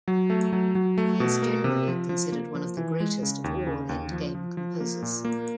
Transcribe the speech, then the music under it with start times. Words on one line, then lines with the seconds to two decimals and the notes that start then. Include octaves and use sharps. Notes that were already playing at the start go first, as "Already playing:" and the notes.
He is generally considered one of the greatest of all endgame composers.
0.08 F#3
0.30 A3
0.53 F#3
0.75 F#3
0.98 A3
1.20 B2
1.42 A#3
1.64 C3
1.88 F3
2.09 F3
2.32 A#3
2.55 F3
2.77 E3
3.00 G#3
3.23 C#3
3.44 D#2
3.67 C#3
3.89 D#2
4.12 F3
4.35 F3
4.57 F3
4.80 A#3
5.02 A#2
5.25 A#3